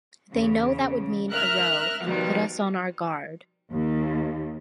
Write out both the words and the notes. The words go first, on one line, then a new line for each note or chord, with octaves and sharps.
They know that would mean a row and put us on our guard.
E2 C#3
A#4 E5 F6 F#6
B2 D#3 F3 G3
D#2